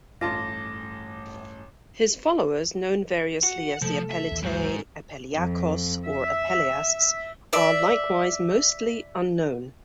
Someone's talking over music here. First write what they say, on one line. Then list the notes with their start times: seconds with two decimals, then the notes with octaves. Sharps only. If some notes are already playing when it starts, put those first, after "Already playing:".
His followers, known variously as the Apellitae, Apelliacos or Apelleasts, are likewise mostly unknown.
0.21 A1 G2 A3 F4 A5 D6 A#6
3.43 F#4 F#5
3.82 C3 F3 A3 A4 A5
4.11 E5
4.31 A#1 D#2 E3
4.43 G#2 F#3 F#4 C5
5.35 F2
6.05 E5
7.53 D5 E5